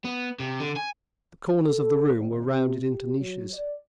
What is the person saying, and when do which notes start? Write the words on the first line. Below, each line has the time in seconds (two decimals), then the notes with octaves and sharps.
The corners of the room were rounded into niches.
0.05 B3
0.40 C3
0.60 D3
0.76 G#5
1.66 A4
2.14 G#1
2.52 C3
2.86 G4
3.19 F#3
3.53 D5